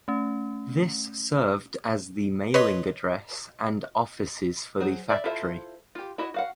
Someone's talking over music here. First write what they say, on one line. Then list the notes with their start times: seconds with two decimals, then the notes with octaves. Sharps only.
This served as the mailing address and offices for the factory.
0.08 A3 C#4
2.54 B4 C#5 D#5 C6 B6
4.80 F#3 G#4 C5
5.10 D5 E5
5.24 E4 F4 A4 C5 E5
5.95 F4 G4
6.18 E4 F#4 D#5
6.34 F#4 F5 F#5